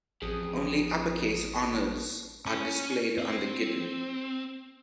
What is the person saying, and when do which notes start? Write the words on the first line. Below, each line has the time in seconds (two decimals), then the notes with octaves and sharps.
Only uppercase honours are displayed on the guidon.
0.22 A1 F2 G#4 D#6
2.46 C#4
3.18 C4